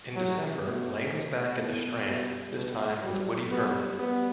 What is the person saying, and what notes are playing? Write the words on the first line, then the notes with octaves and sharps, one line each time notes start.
In December, Lane was back at the Strand, this time with Woody Herman.
F#3 G3
B2 A3
A2 B3
B2 G3
B2
F#3 G3
F#3
G3 B3
G3 B3